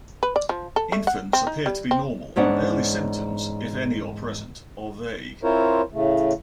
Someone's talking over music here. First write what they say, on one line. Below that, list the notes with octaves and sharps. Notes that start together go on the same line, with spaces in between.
Infants appear to be normal and early symptoms, if any are present, are vague.
B4
D5
F3
A4
A3
F#5
C4
D#4
G3
C4
E2 G#2 C#4 D4 F#5
C4 E4 F4 A#4 C5 C#5
A2 C#3 A3